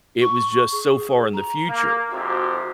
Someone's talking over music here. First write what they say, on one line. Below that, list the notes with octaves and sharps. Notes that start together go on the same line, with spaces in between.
It was just so far in the future
C#6
G#4
A#5
A#3
F2 G#2 C3 F#4